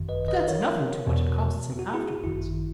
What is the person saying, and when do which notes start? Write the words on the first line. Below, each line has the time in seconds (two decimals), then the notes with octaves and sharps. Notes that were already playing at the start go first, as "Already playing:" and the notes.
But that's nothing to what it costs him afterwards.
Already playing: G#1 F#2 D#3
0.09 B4 D#5
0.28 B4 D#5
0.48 A#4 C#5
1.07 E2 B2
1.79 F#4
1.93 E4 G#4
2.08 F#4
2.23 G#1 F#2 D#3 E4